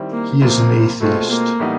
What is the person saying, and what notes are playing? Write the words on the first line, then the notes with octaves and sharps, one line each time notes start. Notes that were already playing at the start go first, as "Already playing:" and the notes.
He is an atheist.
Already playing: D#3 G3 C4 E4
A#3
C#2 C3 F3 A#3
B2 G#3 A3 C4 F4
A#3
A2 E3 G3 B3 D#4